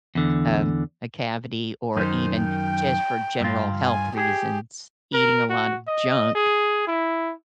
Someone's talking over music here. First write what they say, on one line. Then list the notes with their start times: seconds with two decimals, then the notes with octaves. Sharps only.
um, a cavity, or even just for general health reasons. Eating a lot of junk
0.15 E2 D3
1.96 F#2 D#3 D#4 C5
2.42 G5
3.40 G2 F4
3.85 G#5
4.17 G4 G#4
5.14 A#4
5.50 F#4
5.87 D#5
6.35 G#4
6.88 E4